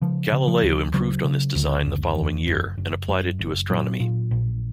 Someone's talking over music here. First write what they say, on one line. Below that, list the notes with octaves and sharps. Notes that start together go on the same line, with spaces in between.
Galileo improved on this design the following year and applied it to astronomy.
C#3 F3
C#3
F3
D2
C#3 F#3
C#3
D2
F#1
E2
F#1
F#1
F#2
F#1
A#2 F#3
A#2
A#1